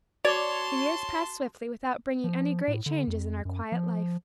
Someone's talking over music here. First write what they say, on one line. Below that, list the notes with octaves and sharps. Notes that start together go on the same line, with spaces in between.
The years passed swiftly without bringing any great changes in our quiet life.
F#4 C#5 D5 A5 C6 D6
F3
A2
D3
F2
F#2
F3